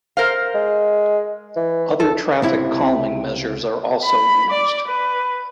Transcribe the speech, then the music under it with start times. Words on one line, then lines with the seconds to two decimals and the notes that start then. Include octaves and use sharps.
Other traffic calming measures are also used.
0.17 A#4 C5 F5
0.55 G#3
1.57 E3
2.00 C#2 A4
2.42 C#2 C3 E4
4.04 B5
4.50 D5
4.88 B4